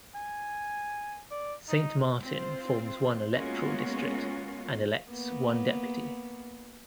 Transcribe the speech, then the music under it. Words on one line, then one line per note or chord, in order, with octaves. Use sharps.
Saint Martin forms one electoral district, and elects one deputy.
G#5
D5
D#4
C4 F4 C5
G#3 A#3 B3 C#4 F4 F#4
A#3 B3